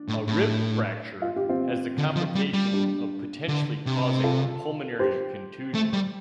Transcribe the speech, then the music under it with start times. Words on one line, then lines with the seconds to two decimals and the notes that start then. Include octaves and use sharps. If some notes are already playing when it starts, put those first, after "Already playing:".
A rib fracture has the complication of potentially causing a pulmonary contusion.
Already playing: D4
0.08 A2
0.28 A2
1.22 F4
1.36 G4
1.49 C4 F4
1.98 D3
2.16 F3
2.35 G3
2.54 G3
2.73 D4 G4
3.48 D3
3.86 C3
4.23 F4 A4
4.99 G4 C5
5.74 A3
5.93 G3